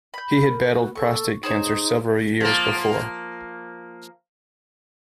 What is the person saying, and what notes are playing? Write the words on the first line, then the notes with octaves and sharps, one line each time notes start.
He had battled prostate cancer several years before.
B5 G6
A#4
F#4
A4 C#6
D#4 G#4 C5 C#5
F3 A#3